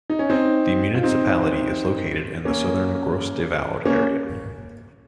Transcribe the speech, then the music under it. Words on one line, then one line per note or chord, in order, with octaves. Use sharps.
The municipality is located in the southern Gros-de-Vaud area.
D#4
C#4
C4 D#4
F4
C4 D#4
A#3 C#4
A#3 C#4